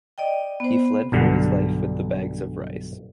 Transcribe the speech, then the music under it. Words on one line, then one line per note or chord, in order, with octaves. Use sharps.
He fled for his life with the bags of rice.
D5 D#5 G5
B3 C5
B1 G2 D3